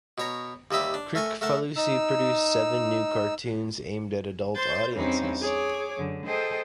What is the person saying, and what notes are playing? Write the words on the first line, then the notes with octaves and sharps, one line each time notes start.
Kricfalusi produced seven new cartoons aimed at adult audiences.
B2 C#5 A#5
D#2 G3 D#5 E5 D6
D4
A3 A#4 G#5 C#6
A3 A#4 F#5 A5
D#4 E6
C5 C6 G6 A6
E2 G2 C4 C#4 D#4
G#4 C#5 D6
F#2 D3
G#4 A4 C5 D#5 G5